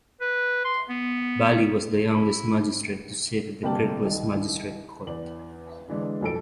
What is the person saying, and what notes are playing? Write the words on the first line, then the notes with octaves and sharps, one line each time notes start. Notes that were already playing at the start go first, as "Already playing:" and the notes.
Bali was the youngest magistrate to sit at the Kirklees Magistrate Court.
B4
C6
B3
E4
G1 C3 A#3 G4 A5 F#7
C2 D#3 D#5
E2 D5 F#7
D3 E3 G#3 D4
B1 F2 A4 D7